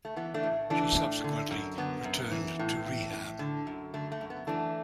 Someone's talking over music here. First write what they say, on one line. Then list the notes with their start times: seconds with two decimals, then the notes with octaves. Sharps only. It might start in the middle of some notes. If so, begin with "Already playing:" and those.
She subsequently returned to rehab.
0.05 A3
0.16 E3 B3
0.34 A3 D4
0.43 A2
0.70 E3 A3 D4
0.97 A2
1.24 D3
1.51 F#2
1.78 D3 B3
2.05 F#2
2.31 E3
2.59 A2
2.86 E3
3.13 A2
3.39 D3
3.67 F#2
3.94 D3 A3
4.12 A3
4.21 F#2
4.30 B3
4.47 E3 A3 D4